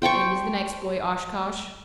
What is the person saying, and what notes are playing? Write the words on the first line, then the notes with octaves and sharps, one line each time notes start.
"And is the next boy Oshkosh?"
C5 G5 A5 C#6